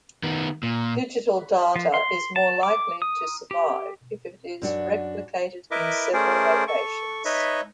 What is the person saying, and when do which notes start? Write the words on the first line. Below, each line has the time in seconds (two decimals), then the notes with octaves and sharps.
Digital data is more likely to survive if it is replicated in several locations.
0.23 D#3 B3
0.63 A#2
1.76 F3
1.94 C6
2.36 A5
2.63 D6
3.02 D#6
3.51 G4
4.62 F#2 D4 F#4
5.71 E4 A#4 B4 D#5 E5 D6
6.13 A3 C#4 G#4 A#4 C5 D5
6.68 A4 C#6
7.25 D#4 B4 C#5 D#5 E5